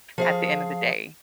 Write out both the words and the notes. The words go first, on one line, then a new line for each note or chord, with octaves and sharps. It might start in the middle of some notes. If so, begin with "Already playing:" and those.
at the end of the day.
F3 G#4 F5